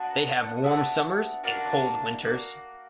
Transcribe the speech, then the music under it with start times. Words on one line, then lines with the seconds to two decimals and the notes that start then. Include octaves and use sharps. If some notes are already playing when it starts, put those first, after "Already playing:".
They have warm summers and cold winters.
Already playing: B3 D4 F#4
0.10 A#5
0.37 F#5
0.63 B3 D4 F#4 E5
1.44 A#3 D4 F#4
2.22 A#3 D4 F#4